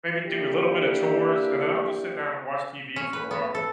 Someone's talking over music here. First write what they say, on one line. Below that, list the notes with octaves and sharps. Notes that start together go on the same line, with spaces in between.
maybe do a little bit of chores, and then I'll just sit down and watch TV for a while.
A#3 D4 E4 G4
C#4
B4
B3
A4